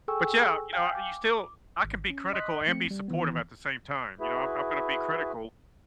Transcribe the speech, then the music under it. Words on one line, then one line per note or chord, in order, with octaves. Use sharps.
But, yeah, you know, you still I can be critical and be supportive at the same time, you know? I'm I'm gonna be critical,
G#4 A4 G5 G#5 C#6 E6
F5 G5 G#5 F6 G6
D6
G#1
C#4
D#5 C6 D#6 F#6 B6
F3 A3 C4 C#7
G3
D#3 E3 B3
E4 F#4 G#4 B4 E5